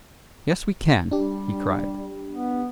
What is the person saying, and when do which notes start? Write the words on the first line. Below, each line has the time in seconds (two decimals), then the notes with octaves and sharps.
"Yes, we can!" he cried.
1.11 G3 D4 G4
2.30 B3